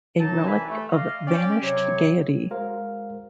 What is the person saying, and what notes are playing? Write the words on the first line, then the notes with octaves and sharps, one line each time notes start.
A relic of vanished gaiety!
F#2 C3 F#3 D#4 A5
C2 E3 B4 E5 G#5 B5
A3
D5 D#5 F5
C#4 D5 G5
C3 F#3 C#5
G#3 F#4 A#4 C5 F5